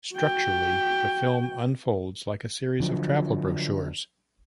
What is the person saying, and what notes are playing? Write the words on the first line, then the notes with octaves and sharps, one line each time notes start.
Structurally, the film unfolds like a series of travel brochures.
F#4 G5
D3 F3 F#3